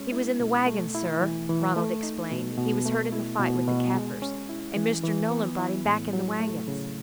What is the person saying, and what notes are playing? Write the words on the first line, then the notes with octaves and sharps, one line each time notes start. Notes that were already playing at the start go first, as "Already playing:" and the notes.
"He was in the waggon, sir," Ronald explained; "he was hurt in the fight with the Kaffirs, and Mr. Nolan brought him back in the waggons."
Already playing: G#3 C#4
E4
B2
A3
E4
E3
E3
A3
D#4
B2
B2
A3
E4
B2
B2
G#3
C#4
E4
E3
E3
B3
E4
A2
F#3
A3
C#3